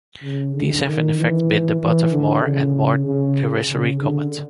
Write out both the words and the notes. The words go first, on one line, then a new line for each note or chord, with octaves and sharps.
These have in fact been the butt of more and more derisory comment.
C#3
D3
D#3
E3
E3
D3
C#3
C#3
C#3
D3